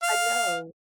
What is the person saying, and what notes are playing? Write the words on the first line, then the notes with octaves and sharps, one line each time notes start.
I know.
F5